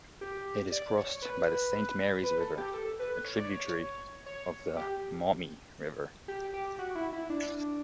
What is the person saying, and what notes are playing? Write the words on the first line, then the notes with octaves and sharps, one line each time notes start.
It is crossed by the Saint Marys River, a tributary of the Maumee River.
G4
D5
C#5
B4
B4
A4
G4
A4
B4
C#5
D5
C#5
C#5
G4
G4
G4
F#4
E4
E4
D4